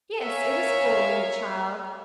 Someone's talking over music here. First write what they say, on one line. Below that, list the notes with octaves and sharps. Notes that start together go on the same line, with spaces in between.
'Yes; it is spoiling the child.
A#4 C#5 E5 F5 G#5